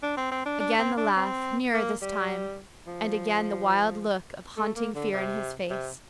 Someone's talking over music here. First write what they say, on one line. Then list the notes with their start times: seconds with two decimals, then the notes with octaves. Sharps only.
Again the laugh, nearer this time, and again the wild look of haunting fear in his face.
0.03 D4
0.17 C4
0.31 C4
0.45 D4
0.60 D4
0.79 C4
0.98 D4
1.17 C4
1.73 A#3
2.02 G3
2.87 F3
4.57 A3
4.76 A#3
4.95 D3
5.13 C3
5.70 C3